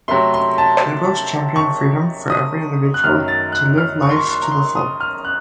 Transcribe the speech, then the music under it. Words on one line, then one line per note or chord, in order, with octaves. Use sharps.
Liberals champion freedom for every individual to live their life to the full.
C3 F#3 A3 C6
C6
A5
C#6
D#6
F#6
F#2 D#3 F#3 A3 F6
A6
F#6
F6
C#6
C6
C#6
C6
A#5
C6
D#6
F6
F#6